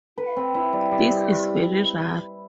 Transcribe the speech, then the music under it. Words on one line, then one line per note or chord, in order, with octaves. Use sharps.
This is very rare.
B4
C4
E4
G3
G3
G3